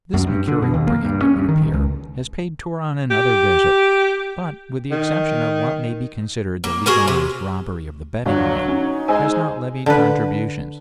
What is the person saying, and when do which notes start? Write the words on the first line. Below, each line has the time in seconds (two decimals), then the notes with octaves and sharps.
This mercurial brigand, it would appear, has paid Turon another visit, but, with the exception of what may be considered the legalised robbery of the betting ring, has not levied contributions.
0.14 F#2
0.27 G2
0.48 D3
0.62 B2
0.74 D#2
0.87 A#3
1.05 G2
1.22 C#4
1.36 G2
1.48 D#3
1.62 D#1
1.73 C#2
3.11 G4
4.91 D#3
6.64 A#3
6.86 F#4 G#4 A#4 G#5
7.08 C3
8.25 G1 F#3 D4
8.68 C#4 D#4
9.08 G#3 C5 G#5 E6
9.86 D3 B4